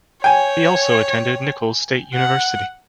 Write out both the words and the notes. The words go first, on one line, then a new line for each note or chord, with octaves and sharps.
He also attended Nicholls State University.
C#5 G5 G#5
F#5